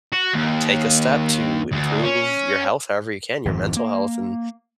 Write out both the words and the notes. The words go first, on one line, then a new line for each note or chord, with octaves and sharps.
take a step to improve your health however you can, your mental health, and
F#4
D#2
D2
C#4
G#1 F2 G#2 E3
A#3